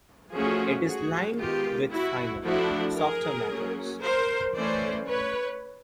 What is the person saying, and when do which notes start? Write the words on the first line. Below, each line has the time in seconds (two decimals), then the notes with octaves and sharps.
It is lined with finer, softer matter.
0.33 F3 A3 C#4 F#4 G#4
0.85 F#4 G#4
1.38 D#3 G#3 B3 F4 G4
1.91 E4 F#4
2.44 F3 A3 D4 E4 F#4
2.96 G#4 A#4
3.50 F#3 A#3 C#4
4.02 A#4 C5
4.55 E3 A3 C#4 C5 D5
5.07 B4 C#5